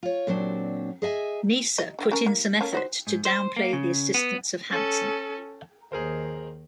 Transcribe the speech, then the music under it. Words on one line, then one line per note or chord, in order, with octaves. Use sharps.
Neisser put in some effort to downplay the assistance of Hansen.
F4 C#5
A#2 F#3 C4 D4
G#4 D#5 E5 G#5
D#5
D3 E4 G4
C#4 A4 A#4
A#3
A#3 C#4 A4
D#4 F#4 C5
G#2
C5
A#3
C#3
B3
C#4 A4
D#2 D#3 G#4 A#4 C5